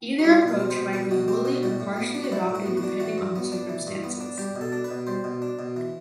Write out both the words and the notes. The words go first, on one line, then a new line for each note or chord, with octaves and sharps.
Either approach might be wholly or partially adopted depending on the circumstances.
F#4
G3 G4
B2
B4
C4
C5
B2
G3 B4
B2 F#4
C4 G4
B2 F#4
G3 F#4
A2
B3
D4
F#4
G3 E4
A2
F#4
B3
F#4
D4
E3 F#4
G2
B3
D4
E3
G2
B3
D4
G3 G4
B2
A4
D4
B4
B2
G3 C5
B2
D4
B2
E3